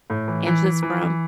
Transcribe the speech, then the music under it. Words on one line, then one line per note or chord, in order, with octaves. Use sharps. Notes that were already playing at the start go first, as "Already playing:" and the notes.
And just from
A2
E3
E3
E3
E3
E3